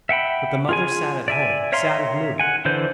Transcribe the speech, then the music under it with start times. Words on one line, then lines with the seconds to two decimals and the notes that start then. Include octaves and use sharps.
But the mother sat at home, sad of mood.
0.09 E5 F#5 G5 B5
0.69 F4 G#4 G#5
1.28 D5 E5 G#5
1.72 C#5 E5 F5 A#5 C6
2.40 F#5 G#5
2.65 D3 E3 C5 D5 G6